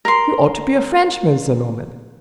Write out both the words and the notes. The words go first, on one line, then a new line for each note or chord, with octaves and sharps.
You ought to be a Frenchman, Sir Norman!
A#4 C6